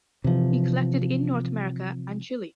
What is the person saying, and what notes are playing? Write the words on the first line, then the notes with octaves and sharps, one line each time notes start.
He collected in North America and Chile.
C3 E3 F3